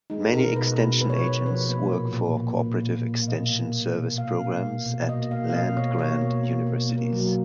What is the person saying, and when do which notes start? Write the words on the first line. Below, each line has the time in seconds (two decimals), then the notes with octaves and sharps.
Many extension agents work for cooperative extension service programs at land-grant universities.
0.10 G#3 D#4
0.33 B2 A#4
0.56 B2 B4
0.79 B2
1.01 B2 B4
1.10 C#5
1.17 B4
1.24 B2
1.46 F3 B4
1.69 A#3
1.92 A#2
2.14 A#2
2.37 A#3
2.59 A#2
2.82 A#2
3.04 A#3
3.22 F5
3.27 B2 D#5
3.50 A#3
3.72 A#3
3.95 B2
4.17 A#3 F5
4.41 A#3
4.63 B2
4.85 B2
5.08 A#3 D#5
5.31 A#3 F5
5.49 F5
5.53 B2 D#5
5.66 D#5
5.77 B2 C#5
5.99 A#3 C#5
6.21 B2
6.44 A#3
6.67 B2
6.89 A#3
7.13 F#3